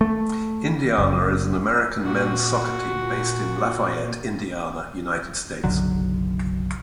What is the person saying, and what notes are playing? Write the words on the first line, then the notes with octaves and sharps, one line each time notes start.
Indiana is an American men's soccer team based in Lafayette, Indiana, United States.
A3
F#1
A#2 F#4
F#1 B1 D3 F#3